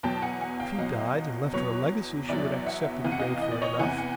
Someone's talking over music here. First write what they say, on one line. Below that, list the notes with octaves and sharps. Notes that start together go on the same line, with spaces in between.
If he died and left her a legacy she would accept it gratefully enough.
E2 B2 F#3 G5 A5
F#5 G#5
F#5 G#5
F5 G5
E2 B2 F#3 D#5 F5
E2 B2 F#3 B4 C#5
E2 B2 F#3 D5 E5
E5 F#5
E2 C3 E3 F5
F#5
D#5 F5
D#5
D5
C#5 D#5
E2 C3 E3 F#5 G#5
F#5 G#5